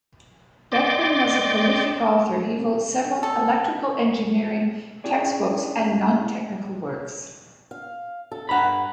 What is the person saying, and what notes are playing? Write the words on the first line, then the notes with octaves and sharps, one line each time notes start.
Beckmann was a prolific author; he wrote several electrical engineering textbooks and non-technical works.
D5 D#5 G5 C6 D6
A4
C#4 D4 E4 G4 G#4 D5
F5
A4
G2 F5 F#5 A#5 B5